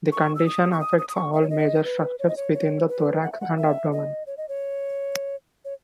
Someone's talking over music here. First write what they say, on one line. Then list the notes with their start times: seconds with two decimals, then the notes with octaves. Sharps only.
The condition affects all major structures within the thorax and abdomen.
0.12 C#6
0.35 E6
0.46 D#6
0.72 C#6
0.81 D#6
0.98 D#6
1.09 D#6
1.15 C#6
1.33 E5
1.42 C#5
1.50 D#5
1.85 B4
2.19 C#5
2.28 D#5
2.37 C#5
2.54 C#5
2.88 B4
3.23 F#5
3.32 E5
3.41 F#5
3.57 E5
3.92 D#5
4.27 C#5
4.37 D#5
4.49 C#5
5.65 C#5